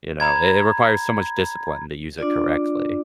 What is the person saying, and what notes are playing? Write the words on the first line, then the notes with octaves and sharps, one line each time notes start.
you know, it it requires so much discipline to use it correctly.
A#5 B5 G#6
D4 F4 D5